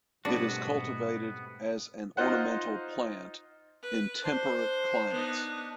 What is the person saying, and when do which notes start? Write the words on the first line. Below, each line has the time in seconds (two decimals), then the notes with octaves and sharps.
It is cultivated as an ornamental plant in temperate climates.
0.25 G#2 B2 G3 A3 B3 C4 D4 F#4
2.17 D#4 F4 C5 F#5
3.82 B4
4.24 D4 C5 C6
5.10 B3 D#4